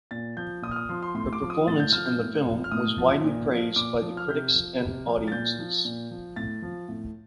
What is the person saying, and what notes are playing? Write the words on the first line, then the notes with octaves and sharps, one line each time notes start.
Her performance in the film was widely praised by the critics and audiences.
A#2 A6
F3 G6
A#2 D#6
F6
D#6
F3 C6
C6
A2 C6
D6
F3
D#6
A2 A6
G6
F3 F6
G6
A2
F3
F6
A2 D#6
F3
A#2
F3
A#2 D6
F3
F6
C3 G6
F3
C3
F3
A6
A#2 G6
F3
A#2
F3
A2 A6
F3
A2